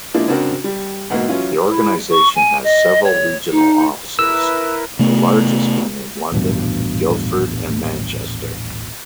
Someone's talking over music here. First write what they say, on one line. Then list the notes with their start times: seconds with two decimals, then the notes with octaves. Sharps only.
The organisation has several regional offices, the largest being in London, Guildford and Manchester.
0.14 F3 G#3 A#3 D4 E4
0.28 C#3 C4 D4 F#4 A#4
0.64 G3
1.10 D2 G#2 B2 F#3 A#3
1.28 E3 F#3 C#4 E4 F4
1.66 E4
2.11 C#6
2.35 G#5
2.64 D#5
3.04 C#5
3.51 D#4
4.19 E4 A#4 B4 E6
4.99 C3 A3 B3
6.32 D#1 A1 G2 B2